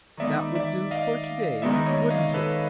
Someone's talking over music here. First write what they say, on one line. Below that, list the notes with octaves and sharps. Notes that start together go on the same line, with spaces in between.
That would do for to-day, wouldn't it?
D#3 G#3 B3 D#4 D5 E5
D5 E5
D#5 F5
D#3 G#3 B3 D#4 D5 E5
C#5 D#5
D#5 F5
A4 B4